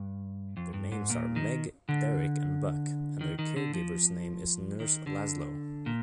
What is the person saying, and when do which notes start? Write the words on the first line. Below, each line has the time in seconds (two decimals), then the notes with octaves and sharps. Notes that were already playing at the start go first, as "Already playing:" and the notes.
Their names are Meg, Derrick and Buck and their care-giver's name is Nurse Lazlo.
Already playing: G2
0.57 F2
0.74 G2
0.92 G#2
1.10 A#2
1.36 D#3
1.89 D3
3.21 D#3
3.39 D#3
3.56 D3
3.74 F3
4.80 D#3
5.07 D3
5.86 A#2